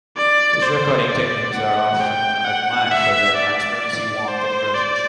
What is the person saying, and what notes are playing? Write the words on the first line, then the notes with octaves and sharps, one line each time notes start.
His recording techniques are often admired for their transparency, warmth and presence.
D5
C5
D5
F#5
G5
F#5
E5
D5
C5
D5